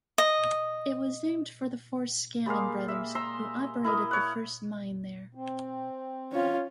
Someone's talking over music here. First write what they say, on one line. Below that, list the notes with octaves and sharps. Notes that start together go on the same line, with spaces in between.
It was named for the four Scammon brothers, who operated the first mine there.
D#5
G3 G#3 A#3 F5
E5
A#5 C6 E6
E4 A#4 D#5
C#5 F#5
C4
C#4 F4